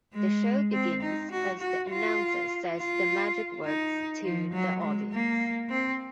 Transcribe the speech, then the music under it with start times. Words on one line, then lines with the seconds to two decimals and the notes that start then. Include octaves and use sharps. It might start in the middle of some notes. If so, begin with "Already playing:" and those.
The show begins as the announcer says the magic words to the audience.
0.14 G#3
0.72 C4
1.02 D#4
1.31 F#4
1.60 F#4
1.89 F4
2.77 F4
3.65 D#4
4.24 F3
4.53 F#3
4.82 G#3
5.11 A#3
5.69 C4